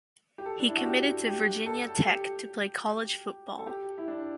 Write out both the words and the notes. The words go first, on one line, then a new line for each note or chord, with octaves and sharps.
He committed to Virginia Tech to play college football.
G4
A4
D4
E4
F#4
G4
G4
A4
A4
G4
A4
G4
E4
D4